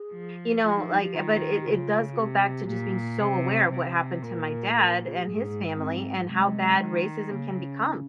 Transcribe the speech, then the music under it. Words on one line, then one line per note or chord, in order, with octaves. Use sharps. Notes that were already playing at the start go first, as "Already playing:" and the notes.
you know, like but it it does go back to just being so aware of what happened to my dad and his family, and how bad racism can become,
Already playing: G#4
F3
F3 F4
D#4
D#4
G4
D#3 F4
G4
C#3 F4
F4
C3 G4
A#2
C3 C5
C3
A#2 A#4
F4
G4
G#2 G#4
C4
C3 G#3
D#3
C#3 A#3
C#4